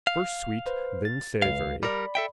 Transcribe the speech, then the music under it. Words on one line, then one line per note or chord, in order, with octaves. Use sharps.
First sweet then savoury.
F5
B4 C5
A6
C#2 B4 F5
G3 A#4 D5 B5
A4 E5 G5